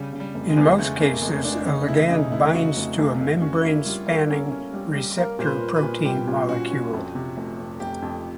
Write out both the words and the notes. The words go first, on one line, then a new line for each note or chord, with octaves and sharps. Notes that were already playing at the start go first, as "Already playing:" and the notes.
In most cases, a ligand binds to a membrane-spanning receptor protein molecule.
Already playing: C#3 G3
C#3
G3
F1
G#3
E2
C#3 A3
F1 A#3
F1 G#3
F1 D4
C#3 D#4
F1 E4
C#3 D#4
F1 E4
C#3 F#4
F1
F1
F1
C#4 F#4
A#3 E4
G3 F4
A#3 A4
C#4 A#4
C#4
G3
G3
A#3 A#4
A#2 C5
B4
A#3
B4
A#2
G3 G4
A#2
C#4 F#4
C#4
F2
C3
F1
F1
F1 G4
F2